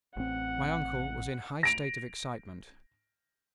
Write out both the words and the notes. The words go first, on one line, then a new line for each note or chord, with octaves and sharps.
My uncle was in high state of excitement.
A1 C4 F#5
A#6 D7 F7